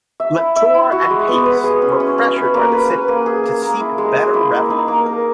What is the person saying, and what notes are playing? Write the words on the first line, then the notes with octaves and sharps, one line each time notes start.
Lectoure and Pace were pressured by the city to seek better revenue.
E5
E4
E5
E4
F#4
G#3
B3
B4
G#4
C#4
C#4
C#4
B4
A#3
B4
B4
A#3
G#4
A#3
A#3
E4
G#3
G#4
E4
A#3
D#4
A#3
A#4